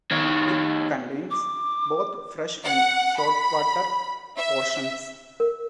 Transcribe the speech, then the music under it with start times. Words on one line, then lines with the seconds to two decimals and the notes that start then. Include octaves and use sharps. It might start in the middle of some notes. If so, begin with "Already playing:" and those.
It contains both fresh and salt-water portions.
0.11 D#3 C#5
1.31 D6
2.64 F#5
3.18 B5
4.37 E5
5.40 A#4